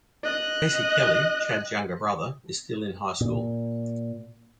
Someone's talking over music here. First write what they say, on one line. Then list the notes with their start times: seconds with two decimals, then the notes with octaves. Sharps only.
Casey Kelly, Chad's younger brother, is still in high school.
0.23 D#5 F#6
3.21 A#2